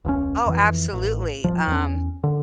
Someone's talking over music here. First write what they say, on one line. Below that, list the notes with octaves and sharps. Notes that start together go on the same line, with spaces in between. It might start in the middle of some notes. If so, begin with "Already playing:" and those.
Oh, absolutely, um
E1 C#2 B2 C#4
F2 E3
A1
D#1 D#2 F3
E2 C#4
D3